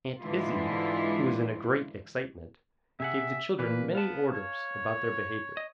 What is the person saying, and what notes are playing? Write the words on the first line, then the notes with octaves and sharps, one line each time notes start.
Aunt Izzie, who was in a great excitement, gave the children many orders about their behavior.
G#2 D3 E3 G#3 E4 F4
C3 G#4 E5 F#5
A#2 E3 A#3 B4
B3 F5 A5
C#5
D#5